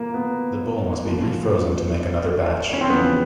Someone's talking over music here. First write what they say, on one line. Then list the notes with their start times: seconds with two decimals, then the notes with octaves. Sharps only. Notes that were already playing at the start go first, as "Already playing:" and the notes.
The bowl must be refrozen to make another batch.
Already playing: A#2 A#3
0.14 B3
1.06 A#2 F3
2.73 C#4
2.81 C4
2.89 E2 C#3 F3 B3